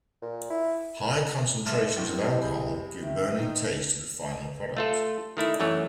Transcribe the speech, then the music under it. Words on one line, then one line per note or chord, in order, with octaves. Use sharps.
High concentrations of alcohol give burning taste to the final product.
A#2
E4
G#2 A3 A5 F6
C3 F#3 G3 E4 G5 C#6
G#4 B5 G6
D#3 E5
D#3 D#4
A3 F4 A4
D#3 A3 E4
F#2 E3 A3 C#5